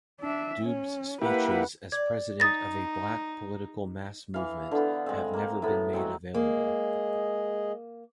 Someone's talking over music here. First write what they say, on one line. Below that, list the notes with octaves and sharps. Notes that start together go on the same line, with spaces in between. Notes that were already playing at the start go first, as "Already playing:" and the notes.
Dube's speeches as president of a black political mass-movement have never been made available.
D4 E5
C#4
A#3 E4 G4 B4 F#5
D5 G#6
D#4 D#6 A6 A#6
E3 F5
D3 B3
G#3 C4
A#3 A#4
A2 B3
F#3 G#3 C4
G#3 A#3 G#4 D#5